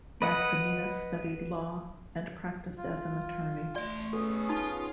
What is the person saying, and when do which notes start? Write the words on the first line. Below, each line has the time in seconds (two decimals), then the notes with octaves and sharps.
Maximinus studied law, and practiced as an attorney.
0.22 B4 D#5 F#5
2.77 F4
3.76 A3 D5 C6
4.13 B3 C#4 G#4 A4
4.49 D#4 F4